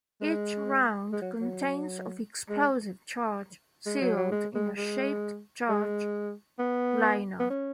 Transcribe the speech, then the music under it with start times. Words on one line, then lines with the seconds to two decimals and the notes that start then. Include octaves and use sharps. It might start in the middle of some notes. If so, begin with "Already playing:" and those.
Each round contains of explosive charge sealed in a shaped-charge liner.
0.21 G#3
1.13 G#3
1.22 F#3
1.41 F#3
2.49 G#3
3.86 G#3
4.02 F#3
4.16 F#3
4.32 G#3
4.55 G#3
4.77 G#3
5.69 G#3
6.59 B3
7.40 B3
7.50 C#4